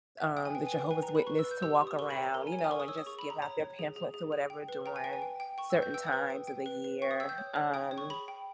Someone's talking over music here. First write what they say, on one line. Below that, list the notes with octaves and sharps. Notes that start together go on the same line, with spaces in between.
um, the Jehovah's Witness to walk around, you know, and just give out their pamphlets or whatever during certain times of the year, um
E5
G5 D#6
G#5
B4 G5
G#5
B4
G5
B4 G#5
A#5
B4
B5
B4 C#6
E6
B4
G6
G4 E6
C#6
G4
D#6
A#4 C#6
B5
C#5
A#5
A#4 A#5
G#5
C#5
G#5
D#6
A#4 C#6
D#6
C#5 E6
D#6
G#4 C#6
B5
G#4
A#5
C#5 A#5
C#5
G#4
G#4
G#4
G#4
G5
B4
G5 A#5
G#5
B4 G5
G#5
G5
G5
G5 C#6
E6
B4
G6
G5 E6
D#6
B4
G5
G5
B4
B4
G5 C#6
D#6
G5 E6
G6
C#5
C#5
G5 D#6
C#5
C#6
G#4 B5
G5